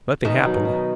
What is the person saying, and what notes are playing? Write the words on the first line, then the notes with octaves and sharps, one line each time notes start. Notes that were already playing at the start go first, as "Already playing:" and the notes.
Nothing happened.
B2 D#3 D#4
F#3
D#4